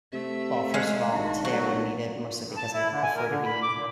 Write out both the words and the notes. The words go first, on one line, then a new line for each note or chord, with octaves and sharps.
Well, first of all, today I wouldn't eat it, mostly because I prefer to be
C3 A3 E5
G#3 F5 F#5
G#1 D4 F#4
B1 D3 F#3 A3 F#4
G2
A5
E4
D3
G#5
A#4
D3
B5
D6
A#2